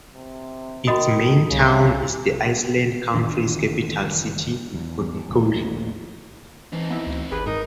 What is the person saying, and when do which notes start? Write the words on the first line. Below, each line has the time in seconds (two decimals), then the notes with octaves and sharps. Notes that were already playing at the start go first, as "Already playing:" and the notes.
Its main town is the island country's capital city, Nicosia.
0.15 C3
0.87 D#3 F#4 D#5 B5 D#6
1.51 C2 C#3
3.14 F#1 D#3 E3 D4
4.74 E2
5.31 A#1 D#2 A2
6.73 E3 C4 D#4
6.90 B3 E4
7.06 D2
7.32 G#1 G4 G#4 B4
7.47 G#2 D#4 A#4